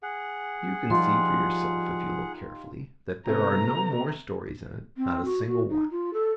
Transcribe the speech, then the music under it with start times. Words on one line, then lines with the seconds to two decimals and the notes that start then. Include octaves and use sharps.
You can see for yourself, if you look carefully, that there are no more stories in it; not a single one.
0.02 G#4 F#5
0.90 F3 G3 D#4 F4 G4 C6
3.27 C3 A3 B3 A#5
4.97 C4
5.25 F#4
5.47 F#4
5.69 D#4
5.91 F4
6.14 A4